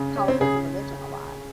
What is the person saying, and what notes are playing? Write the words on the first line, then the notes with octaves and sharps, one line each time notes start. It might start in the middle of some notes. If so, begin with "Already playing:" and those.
politics and religion a lot,
Already playing: C#3 C#4
C#4
C4
C#3 G#4